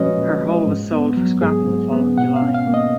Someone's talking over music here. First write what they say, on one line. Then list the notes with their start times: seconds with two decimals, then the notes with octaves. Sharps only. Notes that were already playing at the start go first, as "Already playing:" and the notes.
Her hull was sold for scrapping the following July.
Already playing: A#2 F3 G#3 C#4 F#4 B4 C#5 D#5
0.18 A#2
0.42 G#3
0.67 G#2
0.92 B3
1.17 F#3
1.42 G#2 G#4
1.67 G#2
1.92 B3
2.17 B2 F#5
2.36 F5
2.42 C#4
2.54 F5
2.67 A#3
2.74 D#5